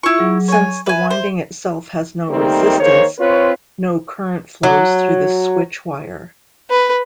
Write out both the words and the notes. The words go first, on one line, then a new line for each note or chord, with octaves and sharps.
Since the winding itself has no resistance, no current flows through the switch wire.
E4 F4 E5 C#6
F#3 G#4
C#5 G#5
B4 E5 G#5
C5
D#3 G3 A3 A#3 C4 D#4
D#3 A#3 G#4 C5 C#5
C4 F4 B4 C#5
F#3
B4